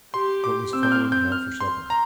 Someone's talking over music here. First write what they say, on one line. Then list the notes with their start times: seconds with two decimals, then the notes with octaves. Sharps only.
What was farmer to have for supper?'
0.14 G4 C6
0.44 D6
0.73 C4 E6
0.83 G6
0.92 F6
1.12 G6
1.32 F6
1.60 C6
1.90 A#5